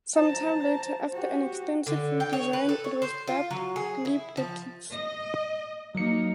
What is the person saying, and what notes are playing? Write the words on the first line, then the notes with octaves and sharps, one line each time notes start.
Some time later, after an extensive re-design, it was dubbed, "Leap The Dips".
C5 A5 A#5
F#4 G4
D3
G5
C#5
B4
A4
C#5
C5
F4
F#3
G#4
E4
F3
D#5
F#3 A#3 D#4 C#7